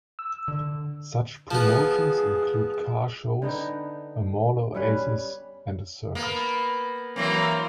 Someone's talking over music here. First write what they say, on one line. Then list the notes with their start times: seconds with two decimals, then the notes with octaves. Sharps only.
Such promotions include car shows, a mall oasis and a circus.
0.19 E6
0.48 D3
1.51 F3 B3 G#4
3.42 D3 B3 D#4 G5
4.74 G3 C#4 B4 C#5
6.15 A#3 B3
7.16 E3 F#3 A#3 C4